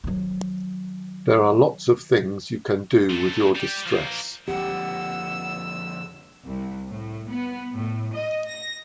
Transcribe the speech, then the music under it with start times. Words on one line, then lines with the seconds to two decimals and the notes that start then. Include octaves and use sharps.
There are lots of things you can do with your distress.
0.04 D#3 F#3
3.09 A#2 A3
3.56 G3 G4
3.86 F3 A#3
4.48 F2 D3 G4 F#5 E6
6.47 C2
6.89 A2
7.30 B3
7.76 A2
8.14 D#5
8.48 A#6